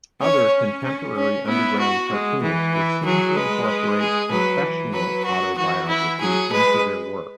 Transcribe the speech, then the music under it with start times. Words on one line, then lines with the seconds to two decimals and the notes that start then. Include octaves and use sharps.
Other contemporary underground cartoonists were soon to incorporate confessional autobiography into their work.
0.21 C#4 C#5
0.84 C#4
1.16 C#4
1.47 B3 E4
1.79 F#4
2.10 G#3
2.42 E3
2.74 E4
3.05 F#3 G#4
3.37 G#3 B4
3.68 B4
3.99 G#4
4.31 F#3 B4
4.62 E3
4.94 F#3 B4
5.25 F#4
5.57 E3 F#4
5.88 E4
6.20 F#3 G#4
6.51 G#3 B4